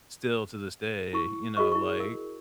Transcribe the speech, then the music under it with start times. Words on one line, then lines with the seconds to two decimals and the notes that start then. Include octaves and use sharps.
still to this day, you know, like,
1.13 E4 C#6
1.57 F#4 G#4 D#5 C#6
1.72 E4 C#6
2.00 A#4